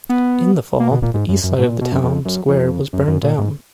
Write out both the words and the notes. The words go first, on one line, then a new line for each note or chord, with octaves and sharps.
In the fall the east side of the town square was burned down.
B3
A#3
B2
A#2
G#2
F#2
F#2
G#2
B2
A#2
B2
F#2
F2
F#2
F2
F#2
F#2
A#2
G#2